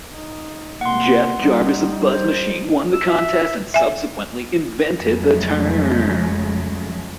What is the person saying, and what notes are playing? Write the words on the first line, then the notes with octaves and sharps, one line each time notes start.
Jeff Jarvis of BuzzMachine won the contest and subsequently invented the term.
D#4
C3 A#3 F#5 C6
G3 D#4
C5
E6
E5
E5 G#5
F2 C#3 F#3 G#3 A3